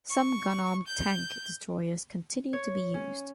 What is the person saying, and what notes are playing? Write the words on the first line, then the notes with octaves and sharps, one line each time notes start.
Some gun-armed tank destroyers continue to be used.
C#6
G6
C#5
C#4